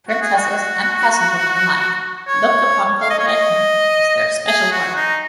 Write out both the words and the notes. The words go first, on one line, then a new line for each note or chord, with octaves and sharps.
Princesses and peasant women alike looked upon cultivation as their special work.
F#4
G#4
F#4
C#5
F5
D#5
C#5
D#5
G#4
F#4
D#4